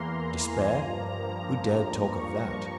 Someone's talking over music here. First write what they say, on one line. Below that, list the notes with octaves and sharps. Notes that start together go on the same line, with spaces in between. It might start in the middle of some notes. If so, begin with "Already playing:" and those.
Despair! Who dared talk of that?
Already playing: E2 E3 A#3 A#5 C6
A#5
G#5
G2 F3 A#3 A#5
A#5
C#6